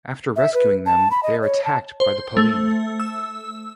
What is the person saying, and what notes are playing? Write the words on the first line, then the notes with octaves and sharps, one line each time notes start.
After rescuing them, they are attacked by the Paling.
E5
B4
A5
B5
D#5
C#5
A5
C5
A3
E6